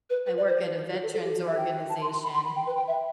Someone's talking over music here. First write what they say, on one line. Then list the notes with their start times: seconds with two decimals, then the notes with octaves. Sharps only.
work at a veterans organization,
0.10 B4
0.27 B4
0.37 D5
0.47 C5
0.92 F#4
1.03 A4
1.13 A4
1.24 G4
1.36 F#4
1.47 E5
1.57 G5
1.89 A5
2.01 C6
2.12 C6
2.23 B5
2.34 C6
2.45 B5
2.56 G5
2.67 B4
2.77 G5
2.88 E5